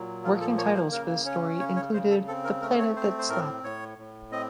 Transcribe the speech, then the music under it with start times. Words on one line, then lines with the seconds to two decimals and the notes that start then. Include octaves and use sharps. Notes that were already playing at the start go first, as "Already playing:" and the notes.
Working titles for this story included "The Planet That Slept".
Already playing: A#2 F#3
0.23 F3 F4
0.41 A4
0.58 A#3 C#5
0.75 C5
0.92 C#3 A#4
1.25 C#4 C#5
1.60 C#3 C#5
1.76 C#5
1.94 C#3 C5
2.10 A4
2.27 C4 A4
2.44 A#4
2.61 A3 A#4
2.79 C#5
2.96 C4 C5
3.19 C5
3.29 A2 A#4
3.64 A2 C#5
3.98 A2
4.32 C4 D#5